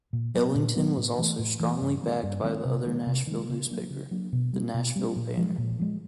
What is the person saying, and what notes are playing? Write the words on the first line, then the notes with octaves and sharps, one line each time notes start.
Ellington was also strongly backed by the other Nashville newspaper, the "Nashville Banner".
A#2
F#3 B3
A#2
F#3 B3
A2
E3 A3
A2
E3 A3
G2
D#3 G#3 C4
G2
D#3 G#3 C4
C3
D#3 G#3
C3
D#3 G#3
C#3
F#3 A#3 D4
C#3
F#3 A#3 D4
B2
G3 C4
B2
G3 C4
A#2
F3 G#3
A#2
F3 G#3